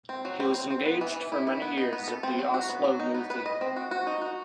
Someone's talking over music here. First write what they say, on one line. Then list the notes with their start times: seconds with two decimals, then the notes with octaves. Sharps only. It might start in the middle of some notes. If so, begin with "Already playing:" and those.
He was engaged for many years at the Oslo New Theater.
0.09 C4
0.25 F#3
0.40 C4
0.54 C4
0.70 C4
0.86 B3
1.01 E3
1.16 E3
1.32 E4
1.47 E4
1.62 B3
1.77 D#4
1.93 B3
2.08 A4
2.23 C4
2.39 F#3
2.54 F#4
2.69 B3
2.84 F#3
3.00 D#4
3.15 B3
3.30 B4
3.46 D#5
3.61 C4
3.76 F#4
3.91 F#4
4.07 D#4
4.22 F#4